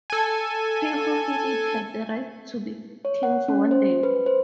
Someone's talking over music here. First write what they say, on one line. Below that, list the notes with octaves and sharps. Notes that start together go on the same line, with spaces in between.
He who hit it had the right to be king for one day.
A4 G#5
C#5
F#5
C#4
C5
B4
C5